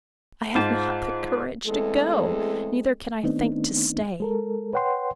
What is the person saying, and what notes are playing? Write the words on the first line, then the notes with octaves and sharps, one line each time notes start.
I have not the courage to go, neither can I think to stay.
G#2 F4 C5 A5
E2 G#3 A3 C4 A4
D#3 A3 B3 C4 D4 D#4
G#3 A4 A#4
B4 C#5 F#5 G5 C6